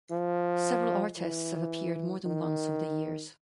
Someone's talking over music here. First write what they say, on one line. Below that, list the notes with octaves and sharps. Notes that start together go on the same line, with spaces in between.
Several artists have appeared more than once over the years.
F3
E3
D#3